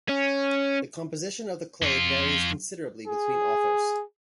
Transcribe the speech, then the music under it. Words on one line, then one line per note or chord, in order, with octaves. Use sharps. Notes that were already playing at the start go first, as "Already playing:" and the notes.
The composition of the clade varies considerably between authors.
C#4
F2 F4
G#4